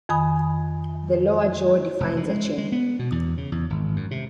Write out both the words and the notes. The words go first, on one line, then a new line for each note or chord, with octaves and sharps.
The lower jaw defines a chin.
F2 D#3 G#5 B5 D#6
F1
F3
G#3
G#3
B3
B2
E2
C#3
E2
G#1
F#2
C3